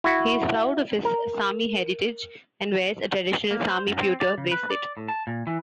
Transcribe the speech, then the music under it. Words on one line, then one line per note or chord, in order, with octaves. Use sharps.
He is proud of his Sami heritage, and wears a traditional Sami pewter bracelet.
E4 F#4
A#4
A#3
C5
F#2
C4
D5
C#3
B4
D5
A2
A5
A#2
E3